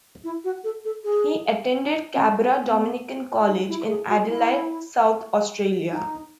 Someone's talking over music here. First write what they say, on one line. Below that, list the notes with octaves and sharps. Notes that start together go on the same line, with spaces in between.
He attended Cabra Dominican College in Adelaide, South Australia.
E4
F#4
A4
A4
G#4
C#4
D#4
C#4
B3
B3
D#4
E4
G#4
F#4
E4
D#4